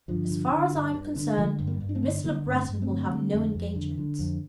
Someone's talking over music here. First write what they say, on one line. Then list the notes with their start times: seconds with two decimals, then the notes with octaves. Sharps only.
"As far as I am concerned, Miss Le Breton will have no engagements."
0.08 G2 D3 F3
0.30 D3
0.51 D3
0.73 G2
0.94 G2
1.16 D3
1.38 D3 F3 A3
1.59 G2
1.67 G3 A#3
1.80 G2
1.89 D4
1.95 A3 C4
2.03 D3
2.24 D3 G3 A#3
2.45 G2
2.53 A3 C4
2.68 G2
2.82 A3 C4
2.89 D3
3.10 D3
3.33 F2
3.55 F2
3.75 D3
3.98 D3
4.19 F2